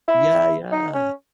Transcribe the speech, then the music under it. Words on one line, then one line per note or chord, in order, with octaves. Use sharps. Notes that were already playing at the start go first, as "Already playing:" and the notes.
Yeah, yeah.
E4
D#4
C#4